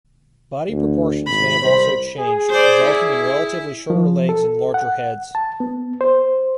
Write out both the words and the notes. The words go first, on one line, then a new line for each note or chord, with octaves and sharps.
Body proportions may also have changed, resulting in relatively shorter legs and larger heads.
D2
G#1 B5
C2 C5
G#4
C5 D5
E4
F3
A4
F#5
A5
B3
C5